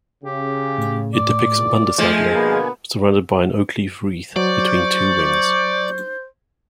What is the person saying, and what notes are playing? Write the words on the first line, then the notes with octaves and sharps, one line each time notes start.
It depicts the "Bundesadler" surrounded by an oak leaf wreath between two wings.
C#3 G4
A2
D5
G#1 E2 A#2
F3 G#3 A3 G#5
B2 D3 A#3 B3
F#3 C5 D5 C#6